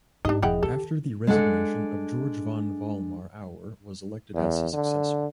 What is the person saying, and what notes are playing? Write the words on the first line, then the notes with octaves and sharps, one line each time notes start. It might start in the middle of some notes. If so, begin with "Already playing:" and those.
After the resignation of Georg von Vollmar Auer was elected as his successor.
G#2 D4 D#4 G4 D#5
E1 F3 E4 G#4 D#5 F#5 G5
D#3 G4 A4
G#3 D4 A4 F#5
E2
D3